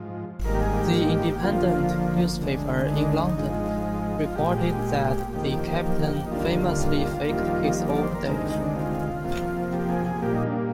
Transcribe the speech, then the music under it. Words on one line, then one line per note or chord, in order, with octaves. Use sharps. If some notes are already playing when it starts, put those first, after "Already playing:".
The Independent newspaper in London reported that the Captain famously faked his own death.
Already playing: G#2 F3
G#2 D#3 G3 A#3 A#4
G4
G#4
G4
F2 D3 F3 A#3 F4
D2 D3 G#3
D#4
D4
D#4
D#4
D#4
G#2 F3 G#3
F4
A#2 G#3 G4
F2 D#3 A#3 G4
D#4
D#2 D3 G3 A#3 F4
F2 D#3 G3 A#3 F4
D5
C5
A#4
D2 C3 D#3 G#3 A#4
D#4
D#4
D4
F4
F2 C3 F3 A#3
G4
G#4
G#4
A#2 G3 A#3 G4
D#4
D4